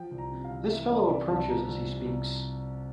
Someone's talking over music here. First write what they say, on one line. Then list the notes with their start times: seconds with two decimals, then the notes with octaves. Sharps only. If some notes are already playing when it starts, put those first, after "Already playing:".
This fellow approaches as he speaks.
Already playing: F3 G5
0.11 C2
0.18 A#5
0.31 C3
0.44 F5
0.50 C2
0.70 E3 E5
0.89 G3 D5
1.09 C3 D5
1.28 C2 A5
1.48 F3 A#5
1.67 C2
1.86 C3
2.05 C2